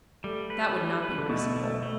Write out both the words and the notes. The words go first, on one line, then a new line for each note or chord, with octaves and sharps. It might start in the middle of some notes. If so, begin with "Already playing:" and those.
That would not be reasonable.
G3 A3
B4
G3
B4
D3
B2 A3
A3
A3